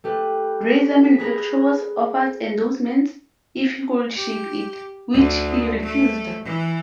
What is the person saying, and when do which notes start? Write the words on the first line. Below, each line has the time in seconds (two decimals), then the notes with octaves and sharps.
Razor manufacturers offered endorsements if he would shave it, which he refused.
0.04 A3 G4 B4
1.04 B6
1.18 G#4 B4 A#5
4.17 G4
5.12 D2
5.82 A3
6.44 E3